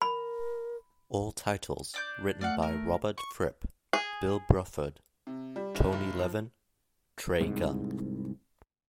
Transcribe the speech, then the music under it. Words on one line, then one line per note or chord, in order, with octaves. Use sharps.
All titles written by Robert Fripp, Bill Bruford, Tony Levin, Trey Gunn.
A#4 B5
D4 D6 G6
A3 D5 F5 F#5
A#4
C#6
G#4
C3
G3
F#1
F1
F3
C2 G#2